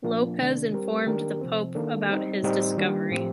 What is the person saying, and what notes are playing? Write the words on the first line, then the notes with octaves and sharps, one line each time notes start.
Lopez informed the Pope about his discovery.
A#2 F3 A#3 D4 F4
C3 D#3 A3 D4
G3 C4 G4 A#4
D#3 A#3 D4 G4 A#4
C3 F3 C4
D#3 A#3 D4 A4
G3 C4 D#4
A2 G3 C4 D#4 G4
D#3 G3 A#3 D4
A2 F3 C4 G4